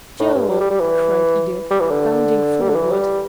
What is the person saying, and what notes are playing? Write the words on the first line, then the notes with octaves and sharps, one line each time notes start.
"Joe!" cried Edith, bounding forward.
A2
G2
G3
G3
G3
E3
G3
E3
D3
G3
D3
E3
G3